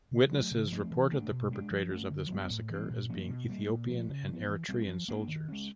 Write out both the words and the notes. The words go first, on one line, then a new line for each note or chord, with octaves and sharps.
Witnesses reported the perpetrators of this massacre as being Ethiopian and Eritrean soldiers.
C#3
F#3 A3
C#3
F3 A3 C4
E3
A3 D4
B2
G#3 B3 D4
F3
A3 C#4
D3
F#3 B3 D4
A2
E3 G3 C4
A#2
F3 A#3 C#4
B2
G3 A#3
A#2
F3 A3
C#3
F3 G#3 B3
E3
G3 C4
F3
A#3 D4
D#3
G#3 C#4